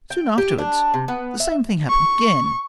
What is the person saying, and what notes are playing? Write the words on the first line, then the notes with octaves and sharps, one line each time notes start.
Soon afterwards the same thing happened again.
G5
G4
D4
C3
B3
E5
C#6